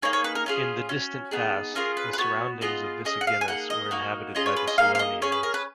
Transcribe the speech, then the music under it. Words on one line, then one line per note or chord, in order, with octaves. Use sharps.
In the distant past, the surroundings of Visaginas were inhabited by the Selonians.
A#3 D#4 G#4 C#5
C#5
B4
A#4
C#4 F4 G#4
C#4 F#4
B3 D#4 G#4
C#4 F4 G#4 A#4
B4
B4
B3 F#4 C#5
B3 F4 G#4 D#5
C#4 G#4 D#5
F#5
F5
G#5
A#3 D#4 G#4 F#5
D#5
A#3 D#4 F#4
C#4 F4 G#4 D#5
C#5
B4
D#5
A#3 D#4 G#4 F5
F5
D#5
C#4 G#4 C#5
B4
A#4
B4